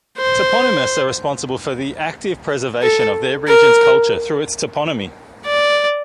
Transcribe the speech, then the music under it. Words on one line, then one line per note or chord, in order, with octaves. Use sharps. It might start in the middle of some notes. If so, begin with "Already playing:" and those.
Toponymists are responsible for the active preservation of their region's culture through its toponymy.
C5
A4
A#4
D5